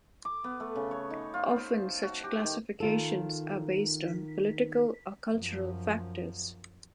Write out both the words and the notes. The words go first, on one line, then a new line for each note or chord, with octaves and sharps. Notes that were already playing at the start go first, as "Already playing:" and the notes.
Often such classifications are based on political or cultural factors.
D6
B3
A3
C#3
C#5
D#4
F4
C5
F#4
G4
D#3
D#3 F4 A4
F#2 F3